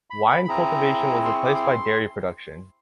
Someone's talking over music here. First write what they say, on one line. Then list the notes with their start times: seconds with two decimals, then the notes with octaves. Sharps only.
Wine cultivation was replaced by dairy production.
0.10 B5
0.30 B5
0.45 B5
0.48 C4 E4 G#4 A#5
1.25 C6
1.35 C#6
1.45 D6
1.55 C6